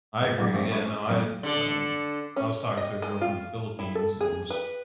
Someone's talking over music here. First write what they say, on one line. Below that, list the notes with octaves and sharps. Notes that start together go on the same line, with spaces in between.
I agree, yeah, no, I, um I was talking to a girl from the Philippines and I was
G#2 D#3
B1 E2 D3 F#3 D6
D3 F3 A3 C4
C#4 D4 E4
C#4
F2 A#2 F#3 C#4
D3 A4
C#4
D#5
G#3
F4
E4
A4
G#4
B4